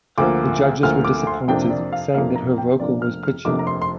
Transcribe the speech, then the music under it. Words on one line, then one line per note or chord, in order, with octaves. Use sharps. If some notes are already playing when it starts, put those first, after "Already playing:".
The judges were disappointed, saying that her vocal was pitchy.
D2 D3 F3 A#3 D6
D2 D3 F3 A#3 F6
D6
C6
F2 C3 A#3 D4 G5
D5
F5
F2 C3 A#3 D4 F5
A#5
G5
F1 F2 C3 A#3 D4 D5
F6
F6
F1 F2 C3 A#3 D4 D6
A#5
C6
C6